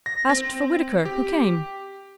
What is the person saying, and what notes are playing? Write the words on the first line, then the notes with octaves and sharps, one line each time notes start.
Asked for Whittaker, who came.
A#6
C4
G4